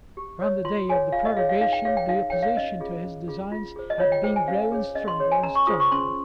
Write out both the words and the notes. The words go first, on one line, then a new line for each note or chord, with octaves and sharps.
From the day of the prorogation the opposition to his designs had been growing stronger and stronger.
G4
C#5
F4 C6
G#4 C#5 G#5
F4 F5
D#5
G#4 C#5 F5
F5
D#4 F5
G5
G#4 C#5 F5
G5
D#4 F5
G#4 C#5 G5
F5
C#4 D#5
F4 G#4
C#4
F4 G#4
F4
G#4 C5
D#5
F4 C#5
G5
G#4 C5 G5
G#5
C#4 F5
G#4 C#5
C#4 D#5
C6
G#4 C#5
G#5
C#4 A#5
C#6
F4 G#4 C5 D#6
C#6
C#4 C6